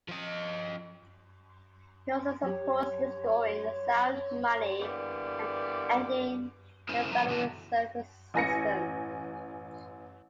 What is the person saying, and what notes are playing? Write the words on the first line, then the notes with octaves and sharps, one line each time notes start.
He also supports restoring sound money and ending the Federal Reserve System.
F3 D#5
F#3 G4 C#5
D3 E3 G3 A#3 B3
C#4 E4 A#4 C5
F3 G3 B4 A#5
B2 D3 E3 E4 F#4 A4
A1 G#5 A#6 C#7